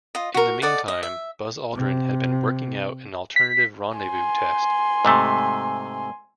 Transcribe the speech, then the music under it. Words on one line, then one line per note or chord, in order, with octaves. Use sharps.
In the meantime, Buzz Aldrin had been working out an alternative rendezvous test.
F4 D#5
F#4 A#4
A4 D5 D#5 F#5
D#5
E5
C3
B6
G#5 C6
G#2 C3 A3